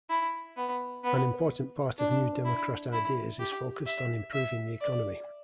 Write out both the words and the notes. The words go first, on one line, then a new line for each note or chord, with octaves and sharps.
An important part of New Democrat ideas is focused on improving the economy.
E4
B3
B3
D4
E4
E4
G4
E5
E5
D5